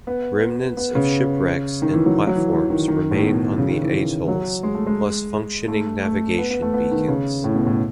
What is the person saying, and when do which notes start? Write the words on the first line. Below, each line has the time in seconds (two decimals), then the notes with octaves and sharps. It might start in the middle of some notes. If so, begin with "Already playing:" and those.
Remnants of shipwrecks and platforms remain on the atolls, plus functioning navigation beacons.
0.07 B3
0.77 B3
0.95 C#3
1.82 D#3
1.94 E3
2.06 F#3
2.27 F#3
2.35 E3
2.53 E3
2.70 D#3
2.88 D#3
3.11 A2
3.23 B2
3.58 C#3
3.69 D#3
3.82 E3
4.28 F#3
4.63 G#3
4.75 A3
4.87 G#3
5.68 A3
6.04 A3
6.38 B3
6.50 B3
6.62 A3
6.74 B3
6.91 D#3
7.08 C#3
7.44 A2
7.55 B2
7.67 A2